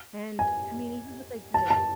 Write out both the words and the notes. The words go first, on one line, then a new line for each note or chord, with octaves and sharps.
And, I mean, even with, like, the
G#5
A5
A5